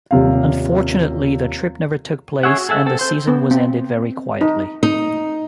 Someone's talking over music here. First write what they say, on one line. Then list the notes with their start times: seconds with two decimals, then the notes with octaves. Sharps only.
Unfortunately the trip never took place and the season was ended very quietly.
0.11 D#1 C3 F5
2.43 C#4 G#4 C#5 E5 F#5
2.57 F#4
2.69 G#4 A4 E5 F#5
2.86 C4 A4
2.99 C5 C6
3.27 B3
3.51 C4
4.41 D#4
4.83 D#4